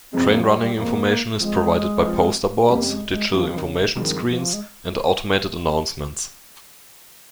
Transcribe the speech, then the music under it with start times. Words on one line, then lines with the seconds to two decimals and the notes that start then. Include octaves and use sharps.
Train running information is provided by poster boards, digital information screens and automated announcements.
0.12 F2 C3 F3 G#3 C4
0.29 A#3
0.40 F3
0.45 G3
0.61 G3
0.76 F2 C3 F3 G#3 A#3
1.40 F3 G#3 C4 F4
2.04 F3 C4 F4
2.68 F2 C3 G3 A#3 C#4 G4
2.90 G#3
3.10 G#3
3.32 F2 C3 F3 G3 C#4 G4
3.50 F3
3.58 D#3
3.64 C#3
3.96 G2 D#3 F3 G#3 C4
4.29 F3
4.53 G#3